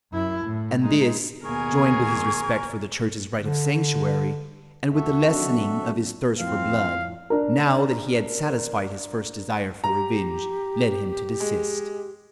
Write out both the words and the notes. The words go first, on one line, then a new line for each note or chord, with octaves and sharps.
And this, joined with his respect for the Church's right of sanctuary, and with the lessening of his thirst for blood, now that he had satisfied his first desire for revenge, led him to desist.
F#2 E4
A2
G#3 D#4
D#2 B2 G#4 A#4 G#5 C#6
D3
D2 F#4 A4 E5
F#3 C4 D4
F2 A2 C4 F5
D4 A#4
G4 A#5
G#3